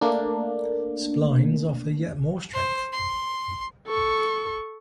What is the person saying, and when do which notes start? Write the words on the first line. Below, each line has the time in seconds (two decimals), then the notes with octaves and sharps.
Splines offer yet more strength.
0.01 A3 A#3 D4
2.53 C5
2.93 C6
3.88 A4 C#6